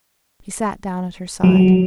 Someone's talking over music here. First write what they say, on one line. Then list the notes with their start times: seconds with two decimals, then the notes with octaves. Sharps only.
He sat down at her side.
1.44 F#3